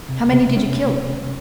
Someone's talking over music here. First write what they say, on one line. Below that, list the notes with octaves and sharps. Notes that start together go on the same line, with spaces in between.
How many did you kill?'
C3
C3
C#4